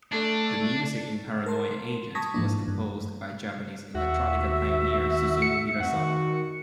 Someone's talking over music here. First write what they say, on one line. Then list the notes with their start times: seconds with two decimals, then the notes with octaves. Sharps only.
The music in "Paranoia Agent" was composed by Japanese electronica pioneer Susumu Hirasawa.
0.12 A3 D4
1.46 A#4 A5 C6
2.15 A5 C#6 D#6 G#6 A#6 B6
2.34 G#2 E3 F3 A#3 D4
2.68 G2
3.95 D#2 F#4 E5
5.42 C#7
5.80 F2 F#4
5.93 D#3